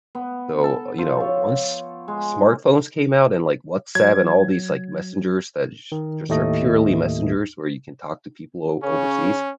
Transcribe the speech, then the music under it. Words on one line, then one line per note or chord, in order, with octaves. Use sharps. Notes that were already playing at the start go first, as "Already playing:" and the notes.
So, you know, once smartphones came out and, like, WhatsApp and all these, like, messengers that j just are purely messengers where you can talk to people o overseas,
B3
A4
F3
C#5
G#3
F#3 G#6
D#3
D#2 A2 A3 D#5
C#3 C#4